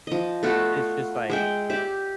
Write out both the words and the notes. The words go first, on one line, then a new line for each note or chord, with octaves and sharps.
it's just, like,
F3 D#5
A3 B3 F4 F#4
G#3 E5 G5
G4 D5 E5